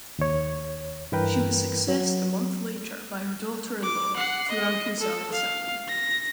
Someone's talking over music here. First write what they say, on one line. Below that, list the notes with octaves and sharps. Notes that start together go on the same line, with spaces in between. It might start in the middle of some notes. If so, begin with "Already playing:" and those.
She was successed a month later by her daughter in-law, Tuanku Zara Salim.
D#2 C#5
G2 E3 A#4 B4 G5
F#3
D6
F#5 C7
D#5
A4
F5
A#6